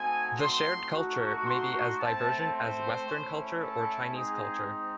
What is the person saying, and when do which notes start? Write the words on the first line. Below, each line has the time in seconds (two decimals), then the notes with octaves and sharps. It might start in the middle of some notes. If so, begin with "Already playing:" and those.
The shared culture may be as divergent as Western culture or Chinese culture.
Already playing: A3 C4 D#4 F#4 G#5
0.38 C6
0.91 A3 D#4 F#4
1.45 C6
1.99 A3 C4 E4 A5
2.52 C5
3.05 A3 C#4 E4
3.60 A4
4.12 G#3 C4 D#4 G#4